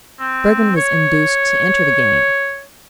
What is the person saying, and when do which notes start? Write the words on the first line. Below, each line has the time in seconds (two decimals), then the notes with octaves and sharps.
Bergmann was induced to enter the game.
0.19 C4
0.76 C#5